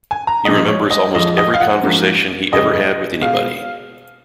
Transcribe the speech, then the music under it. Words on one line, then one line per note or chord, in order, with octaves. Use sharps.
He remembers almost every conversation he ever had with anybody.
G#5
A#5
A#2 F3 G#3 D#5
C#5
D#5
F2 F3 G#3 D#5
D#5
F5
F#5
G#2 F3 A#3
F2 C#3 G#3 D#5
B2 G#3 F5